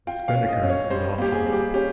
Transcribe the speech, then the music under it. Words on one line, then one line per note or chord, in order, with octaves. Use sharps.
A spinnaker is optional.
F4 G5
F5
C#4
D#5
C#4
C#5
G3 C5
A#3 G4
G#4
G3
G4
C#4 G4